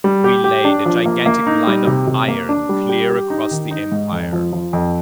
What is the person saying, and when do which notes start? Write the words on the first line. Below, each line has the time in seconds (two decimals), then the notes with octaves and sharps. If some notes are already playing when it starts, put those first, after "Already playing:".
We laid a gigantic line of iron clear across the empire.
0.04 G3
0.24 G4
0.44 G4
0.65 D4
0.86 F3
1.06 A#3
1.26 A#3
1.47 D#4
1.67 G3
1.87 C3
2.07 C3
2.28 A#3
2.49 D4
2.69 G3
2.89 G4
3.10 G4
3.30 D#4
3.51 D#3
3.71 D#4
3.92 G#2
4.12 F2
4.33 F3
4.53 F3
4.73 F2